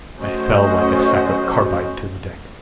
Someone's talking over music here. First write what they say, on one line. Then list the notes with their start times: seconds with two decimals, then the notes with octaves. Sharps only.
I fell like a sack of carbide to the deck.
0.18 F#3 A3 C#4 F#4 C5 D#5